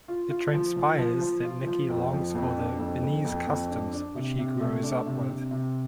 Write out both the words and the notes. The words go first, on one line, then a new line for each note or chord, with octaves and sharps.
It transpires that Niki longs for the Viennese customs which he grows up with.
F4
F4
F3
F3
F3
F3
F4
F3
F2
F3
F2
D4
F2
F2
F2
F2
D4
D4
C3
C3
A3
D4
C3
C3
C3